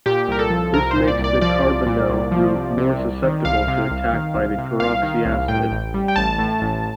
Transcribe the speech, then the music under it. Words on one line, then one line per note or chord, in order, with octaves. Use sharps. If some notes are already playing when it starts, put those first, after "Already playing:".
This makes the carbonyl group more susceptible to attack by the peroxyacid.
A#2 G4
C2 A#4
A4
F3
C2 A#4
C5
A#2
D5
C2
D5
F3 D5
C2
A#2
C2
F3
C2
C3
C2
D#3
C2 F5
C3
C2
D#3
C2
C3
C2 F5
D#3
C2
A2 G5
A1
G3
G5
A1 A5
A2
A1